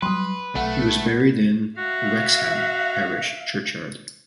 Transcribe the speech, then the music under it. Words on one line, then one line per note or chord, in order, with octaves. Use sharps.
He is buried in Wrexham Parish Churchyard.
F#3 G3 B4 C6 D#6
B1 A3 F#5
F#4 E5 F5